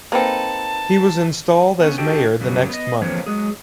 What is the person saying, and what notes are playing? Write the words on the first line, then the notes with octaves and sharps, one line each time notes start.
He was installed as mayor the next month.
A#3 C4 D#4 A4 B4 A5
B3 C#4
D4 F#4 G4 A4 D#5 G5
F#2 C#3 F#3 G3
B3 D#5
D3 E3 F3 A#3 C4 C#5
F#3 G#3 G#4